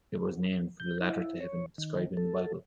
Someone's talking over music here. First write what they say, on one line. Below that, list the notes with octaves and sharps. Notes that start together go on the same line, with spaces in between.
It was named for the "ladder to heaven" described in the Bible.
G6
E4
C#5
D#3
A4